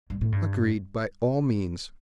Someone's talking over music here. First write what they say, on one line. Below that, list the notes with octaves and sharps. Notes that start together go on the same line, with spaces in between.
"Agreed, by all means."
G2
A2
G2